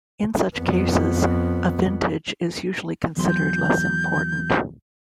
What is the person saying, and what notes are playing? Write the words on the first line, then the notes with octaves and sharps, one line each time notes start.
In such cases, a vintage is usually considered less important.
F2 B3
E2 F#3 C6
G6